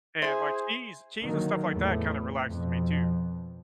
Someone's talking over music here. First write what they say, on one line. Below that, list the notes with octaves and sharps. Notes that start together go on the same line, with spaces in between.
and, like, cheese cheese and stuff like that, kinda, relaxes me, too.
E4 G#4 C5 G#5
D3 D#3 F#3 A#3
E2 A2 A3
F2 B2